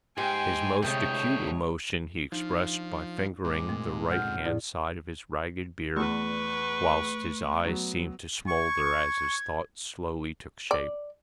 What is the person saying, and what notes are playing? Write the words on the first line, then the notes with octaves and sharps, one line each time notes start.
His most acute emotion he expressed by fingering the right-hand side of his ragged beard, whilst his eyes seemed to smoulder as his thoughts slowly took shape.
G#2 G4 G5 G#5 C6
D2 A2 C3 G#3 C#5 D#5 G5
F3 D4 D#4 F4
G#2 C4 D6
A#2 A3
D2 C#4 F#5 F6 G6
A2 E4 D5
E2 A3 B4 C#6
F#3 B3
C#6 G#6
D5